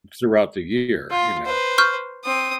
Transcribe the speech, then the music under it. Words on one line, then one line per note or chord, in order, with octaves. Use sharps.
throughout the year, you know?
F4
B4 C5
C#6 F6 G6
C4 D#6